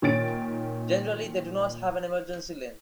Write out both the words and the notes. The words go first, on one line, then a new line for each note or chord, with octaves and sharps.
Generally, they do not have an emergency lane.
A#2 D#3 C#4 A6 D7